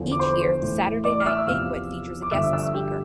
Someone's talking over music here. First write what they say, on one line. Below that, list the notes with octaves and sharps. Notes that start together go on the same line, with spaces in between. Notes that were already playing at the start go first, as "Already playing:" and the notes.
Each year, the Saturday night banquet features a guest speaker.
Already playing: E2 D3 F3
D6
C5 C6
A2 E3
D5 D6
F6
E5 E6
E2 C3 F3 F5 F6
D6
G2 D3 F3 E5 E6
E5 E6
G4 G5